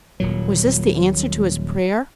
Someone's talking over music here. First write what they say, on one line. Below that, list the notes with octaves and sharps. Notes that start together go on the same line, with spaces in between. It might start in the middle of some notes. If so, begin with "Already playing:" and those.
Was this the answer to his prayer?
D#1 A#2 F#3